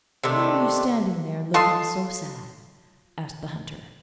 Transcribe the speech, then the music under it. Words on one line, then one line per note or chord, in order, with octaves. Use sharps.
'Why are you standing there looking so sad?' asked the Hunter.
C3 D#3 A3 D4
F4 A4 D#5 C6